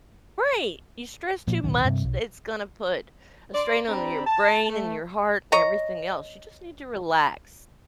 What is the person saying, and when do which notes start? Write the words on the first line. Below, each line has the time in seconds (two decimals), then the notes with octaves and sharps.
right! You stress too much, it's gonna put a strain on your brain, and your heart, and everything else, you just need to relax.
1.48 A#2 F3
1.64 D1 B1 D#3
1.85 G2 C3
2.04 B1
3.55 D5 C6
3.89 C4 D4 G4 D5 A#5 B5
4.26 A5
4.69 A3
5.52 C#5 D#5 A#5